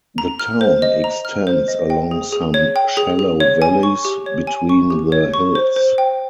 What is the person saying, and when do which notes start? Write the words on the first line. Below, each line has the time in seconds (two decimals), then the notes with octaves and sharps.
The town extends along some shallow valleys between the hills.
0.18 A#5
0.39 F6
0.61 C5
0.82 D#5
1.04 A#5
1.25 F6
1.47 C5
1.68 D#5
1.90 G5
2.11 G#4
2.32 G#4
2.54 C#5
2.76 G5
2.97 G#4
3.19 G#4
3.40 C#5
3.62 G#5
3.83 C#6
4.05 G4
4.26 C#5
4.47 G#5
4.69 C#6
4.90 G4
5.12 C#5
5.34 C#6
5.55 C5
5.76 C5
5.98 G5